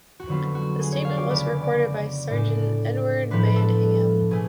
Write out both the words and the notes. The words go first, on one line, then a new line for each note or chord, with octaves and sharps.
The statement was recorded by Sergeant Edward Badham.
F#4
F2 D3 F#3 B3 F4
F#4
G#4
C#5
F5
D5
C#3 G#3 B3 D5
D5
D5
A2 G#3 D4 D5
A2 F3 B3 D4 B4
A4
B2 A3 G#4